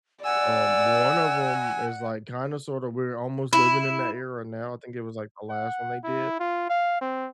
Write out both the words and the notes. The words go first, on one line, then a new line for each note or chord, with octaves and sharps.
um, one of 'em is, like, kinda sort of we're almost living in that era now; I think it was, like, the last one they did,
D5 F#5 G#5 E6
E4
F#5
E4
F4
F5
C4